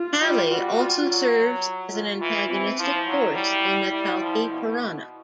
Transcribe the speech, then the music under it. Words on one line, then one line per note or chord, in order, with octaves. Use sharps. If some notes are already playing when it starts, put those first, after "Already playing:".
Kali also serves as an antagonistic force in the Kalki Purana.
Already playing: F4
G3
G3 F#4
F4
F#3
F4
E3 F4
E3 C4
F3 E4
F#3
G3 E4
G3
F3
B2